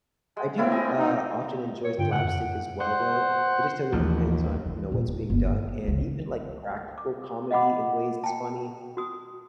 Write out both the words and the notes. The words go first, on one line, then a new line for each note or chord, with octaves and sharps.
I do, uh, often enjoy slapstick as well, though, it just totally depends on, you know, what's being done and even, like, practical comedy in ways is funny,
G#3
A2 C4 D4 E4 F4
D#5 G#5
C4 D#4
C#5
G2 D3 F4 G5
A2 C#3 F#5
F2
C5 F#5
A1 D#2 F3
E3
E2 A#2
D#4
G1 A#3
D#3
C#2 G#3
D6
D#5 F5 F#5 B5 D6
G5 A5
F#4 D#6